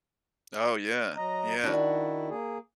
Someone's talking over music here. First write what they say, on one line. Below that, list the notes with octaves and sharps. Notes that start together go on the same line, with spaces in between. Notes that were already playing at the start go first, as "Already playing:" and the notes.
Oh, yeah, yeah.
F#3 D#5 A#5
D#3 D4 E4 F#4
A#3 G#4